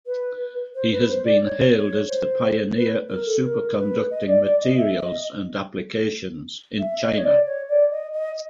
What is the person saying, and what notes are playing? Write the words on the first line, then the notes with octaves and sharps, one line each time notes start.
He has been hailed as "the pioneer of superconducting materials and applications in China".
B4
C5
B4
C5
D5
C#5
C#5
C5
B4
A#4
A4
A#4
B4
D#5
D5
D5
D#5
E5
D#5
E5
D#5
C#5
D5
C#5
D5
D#5
D#5